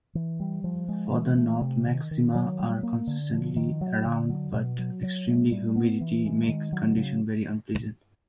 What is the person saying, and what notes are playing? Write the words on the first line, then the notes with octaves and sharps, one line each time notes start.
Further north, maxima are consistently around but extreme humidity makes conditions very unpleasant.
E3
G3
F3
G#3
E3
A3
C3
D#3
D#3
F#3
G3
A#3
D3
F3
D#3
F#3
D3
F#3
B2
F#3
F#3
A3
G3
B3
E3
G#3
D#3
F#3
C#3